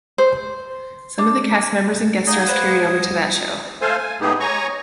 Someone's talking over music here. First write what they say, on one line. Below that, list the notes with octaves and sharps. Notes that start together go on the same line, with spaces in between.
Some of the cast members and guest stars carried over to that show.
C5
D4
G#3 D#4 G#4 D#5 F5 F#5 D6
B4 C5
F#3 G3 F4 D#6
A3 A4 C5 F5 G#5
G#5
A2 G#3 B3 D#4 G4 G#4
C#5 G#5 A#5 C#6